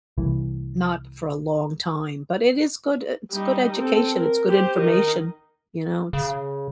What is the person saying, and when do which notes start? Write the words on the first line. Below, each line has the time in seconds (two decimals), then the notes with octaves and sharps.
not for a long time, but it is good e it's good education, it's good information. You know, it's
0.18 C2 E3
3.32 G3 D#4
3.79 C4 A4
4.16 A#4
4.48 G4 C5
4.79 D#3 D#4
6.13 C#3